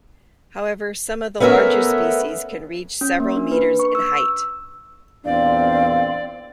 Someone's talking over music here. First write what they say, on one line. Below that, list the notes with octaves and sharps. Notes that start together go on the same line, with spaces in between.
However, some of the larger species can reach several metres in height.
A3 B3 C#4 A#4 E5
C#4
A#3
D4
B4
C#6
E6
E2 A#2 C4 D4 D5 F5